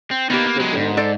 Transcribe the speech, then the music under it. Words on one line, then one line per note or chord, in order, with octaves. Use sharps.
but don't
C4
A#3 B3 D#4 G4
A#3
F#3 G#3
G#2
A4 C5 D5